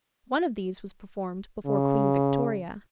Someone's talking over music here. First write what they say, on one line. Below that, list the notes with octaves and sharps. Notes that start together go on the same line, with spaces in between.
One of these was performed before Queen Victoria.
C#3